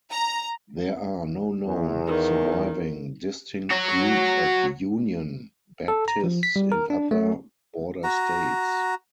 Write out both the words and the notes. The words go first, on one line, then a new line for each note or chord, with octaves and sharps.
There are no known surviving distinct groups of "Union" Baptists in other border states.
A#5
E2
D#3
F#4 C#5
A4
A#5
F3
B6
G3
A#4
D4
A3
F#4 A#5